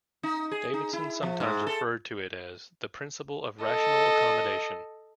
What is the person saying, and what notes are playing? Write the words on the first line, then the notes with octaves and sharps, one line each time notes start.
Davidson sometimes referred to it as "the principle of rational accommodation".
D#4
G#4
D#4
E4
F3
G#2
A4
A4 D#5